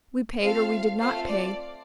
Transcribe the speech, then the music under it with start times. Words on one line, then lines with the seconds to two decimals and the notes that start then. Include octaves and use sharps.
We paid or we did not pay.
0.42 C4 F4 A4 F5
0.99 A3 C4 F4 A4 F5
1.28 D5